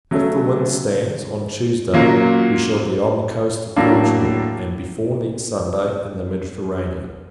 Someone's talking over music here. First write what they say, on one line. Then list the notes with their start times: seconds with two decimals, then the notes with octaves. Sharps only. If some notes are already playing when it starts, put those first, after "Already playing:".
If the wind stands, on Tuesday we shall be on the coast of Portugal; and, before next Sunday, in the Mediterranean.
0.11 C#3 F#3 A3
1.94 A#2 F#3 A#3 C#4
3.76 A2 F#3 A#3 D4